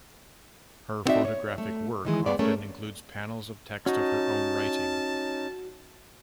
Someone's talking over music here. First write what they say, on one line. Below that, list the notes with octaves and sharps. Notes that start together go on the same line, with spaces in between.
Her photographic work often includes panels of text of her own writing.
B3 C4 D#4 F#4 D5 E5
C#5
A3
D#3 E3 G#3
G#3 B3 D5
A3 C#4 G#4 A#4
C#4 D#4 F#4 A5